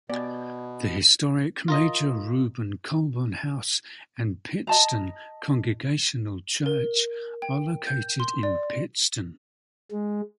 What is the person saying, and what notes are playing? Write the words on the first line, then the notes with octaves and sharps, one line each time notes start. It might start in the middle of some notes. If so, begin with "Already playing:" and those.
The historic Major Reuben Colburn House and Pittston Congregational Church are located in Pittston.
B2 B3 D5 G#5
F4 A#4 D#5
D#5 A5 A#5
A#4
G5
G6
C6
D5
G#3